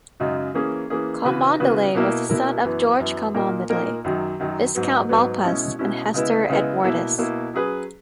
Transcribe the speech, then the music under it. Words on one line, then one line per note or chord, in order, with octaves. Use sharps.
Cholmondeley was the son of George Cholmondeley, Viscount Malpas, and Hester Edwardes.
F#2 C#3 G#3 D#4 F#4
E3 A#3 C#4 G#4
E3 A#3 C#4 G#4
C#3 E3 B3 F#4 B4
C#3 E3 B3 F#4 B4
B2 A#3 E4 A#4
B2 A#3 E4 A#4
F#2 E3 B3
F#2 E3 B3
A#2 A#3 D#4 A#4
A#2 A#3 D#4 A#4
F#2 D#3 F#3
F#2 D#3 F#3
G#2 F#3 B3
G#2 F#3 B3
B2 G#3 C#4 E4
B2 G#3 C#4 E4
C#3 G#3 B3 E4
C#3 G#3 B3 E4
B2 A#3 E4
B2 A#3 E4
F#3 C#4 G#4 B4